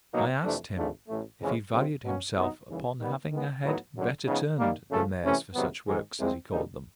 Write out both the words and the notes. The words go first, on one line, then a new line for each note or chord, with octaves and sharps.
I asked him, If he valued himself upon having a head better turned than theirs for such works, as he called them?
B2 F#3 A#3 D#4
F2 C3 E3 A3 D4
G#1 G#2 F3 A3 D4
A1 A2 E3 A3
F2 C#3 E3 G#3 C#4
C3 D#3 G3 C4 F4
B2 F#3 A#3 C#4 F#4
C2 B2 F#3 B3 D#4
D#2 C#3 E3 G3
D#3 G3 B3
D#3 G#3 B3
A2 F#3 B3 D#4
G#1 F#2 D3 F#3
C#3 F3 G#3 B3 D#4
D#3 G3 A#3
F#2 C#3 F3 A3
C3 E3 A3 C#4
C#2 C3 D#3 F#3 B3
G#2 D#3 G#3
C2 C3 F3 G#3 C4
D3 G3 A#3 D#4